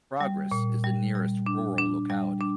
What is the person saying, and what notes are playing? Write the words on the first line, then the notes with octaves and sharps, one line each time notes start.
Progress is the nearest rural locality.
G3
A#2
G3
G3
D4
D4
G3
D4